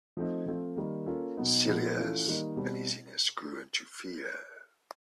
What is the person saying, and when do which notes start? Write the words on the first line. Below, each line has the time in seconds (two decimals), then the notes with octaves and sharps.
Celia's uneasiness grew into fear.
0.17 F3 A3 C4 D#4
0.46 F3 A3 C4 F4
0.76 D#3 G3 A#3
1.06 A#3 C#4 F4 A4
1.37 B2 F#3 B3 D#4
1.67 A#2 F3 G#3 B3
1.97 E3 A3 C#4 F4 A4
2.27 D#3 G3 A#3 D#4
2.56 B2 G3 C4